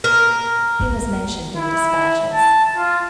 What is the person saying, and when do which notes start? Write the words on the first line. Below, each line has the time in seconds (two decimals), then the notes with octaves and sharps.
He was mentioned in despatches.
0.04 A#4
1.57 E4
2.34 A5
2.76 F4